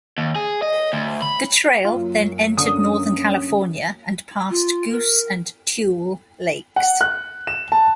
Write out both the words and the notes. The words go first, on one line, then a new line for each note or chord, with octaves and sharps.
The trail then entered northern California and passed Goose and Tule lakes.
D#2
G#4
D#5
D2
B5
F#2 F#3 A#3 F4
D3 C#4 D#6
F4
A#4
F#5
F#6
E7
A5